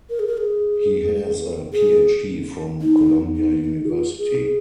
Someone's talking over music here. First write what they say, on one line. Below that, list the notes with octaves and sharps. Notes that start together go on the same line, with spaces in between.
He has a PhD from Columbia University.
A#4
G#4
A#4
G#4
G#4
D#4
D#4
D#4
G#4
F4
G#4
G#4